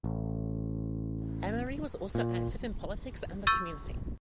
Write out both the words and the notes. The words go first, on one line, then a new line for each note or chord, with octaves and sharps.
Emory was also active in politics and the community.
A1
A#2
C#6 E6 G6 A6 D#7